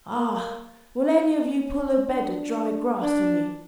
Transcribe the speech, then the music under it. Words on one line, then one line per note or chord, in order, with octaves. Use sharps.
Ah, will any of you pull a bed of dry grass for me?
A#3
C#4
D4
D4